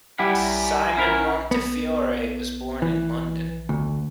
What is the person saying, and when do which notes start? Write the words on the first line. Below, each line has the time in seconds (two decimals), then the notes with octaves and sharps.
Simon Montefiore was born in London.
0.19 G3 E4 G4 F#5 G#5
0.97 C#4 E4 A#4
1.51 B3
2.82 E3
3.69 D2